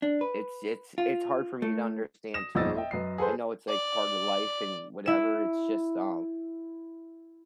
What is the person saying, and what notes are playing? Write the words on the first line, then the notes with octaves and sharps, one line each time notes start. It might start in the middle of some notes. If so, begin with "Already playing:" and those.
it's it's it's hard for me to understand too. I know it's, like, part of life and whatever, it's just, um
D4
B4
F4
A3
D#6 A#6 E7
G1 F2 A#2 D#5 E6 A6
D#5 E5 G5
F#2 B4 D#5 C7
G#4 A4 B4 C5
D5
E4 E7